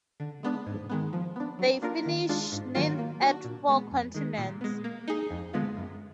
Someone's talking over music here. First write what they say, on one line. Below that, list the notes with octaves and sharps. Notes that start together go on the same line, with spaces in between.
They finished ninth at Four Continents.
D3
G#3 B3 D4
G#2
D#3 G#3 B3
F3
B3 D4
F#3
A#3 D4 F4 A#4
D#3
G#3 D4 F4
G#2
D#3 F#3 A#3 F4
A#3
D4 F#4
A#2
G#3 B3
F2
D#3 G#3
A#2
G#3 B3
A#3
D#4 G#4
F2
D3 G#3 B3 F4
F#2